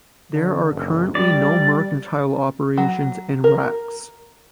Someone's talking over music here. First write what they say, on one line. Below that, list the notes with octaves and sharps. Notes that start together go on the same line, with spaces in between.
There are currently no mercantile operations in Rex.
D3
F#1
G3 D5
F#3
A#4